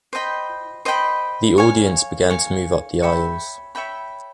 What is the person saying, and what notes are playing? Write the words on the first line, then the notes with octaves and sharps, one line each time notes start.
The audience began to move up the aisles.
C5 D#5 G5 B5
C5 D#5 G5 B5
C#5 F5 G#5
C#5 F5 G#5
C#5 E5 G5 B5
C#5 E5 G5 B5